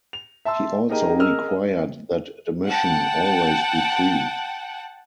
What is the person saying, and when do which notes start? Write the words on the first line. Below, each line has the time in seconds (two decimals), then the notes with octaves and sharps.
He also required that admission always be free.
0.13 F7
0.45 E5 A5 C6 E6
0.89 D#4 G4 G#4 A#4 D#5 A#5
1.19 G#4 A#4 D#5 E6 F6
2.69 F#5 G5 A5